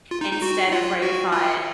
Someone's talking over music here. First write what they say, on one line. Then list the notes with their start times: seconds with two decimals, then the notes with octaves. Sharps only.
instead of where you thought
0.11 F4
0.21 D#4
0.32 D#4
0.42 F#4
0.72 F4
1.02 F#4
1.32 F4